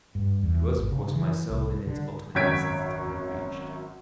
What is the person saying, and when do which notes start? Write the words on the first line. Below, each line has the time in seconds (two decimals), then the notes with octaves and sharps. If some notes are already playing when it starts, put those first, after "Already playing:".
It was of course my soul in its ultimate essence that I had reached.
0.15 G2
0.43 E2
0.77 G#1
0.91 C#3
1.15 E3
1.49 C2
1.87 D3
2.35 G#1 F#2 C#5 G#6 B6 D7